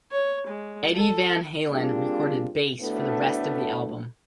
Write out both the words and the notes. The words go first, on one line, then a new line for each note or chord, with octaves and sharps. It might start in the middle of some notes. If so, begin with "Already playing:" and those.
Eddie Van Halen recorded bass for the rest of the album.
C#5
G#3
A4
G3 A#3 C4 D4 F4 G#4
D2 A2 A3 B3 D4 A4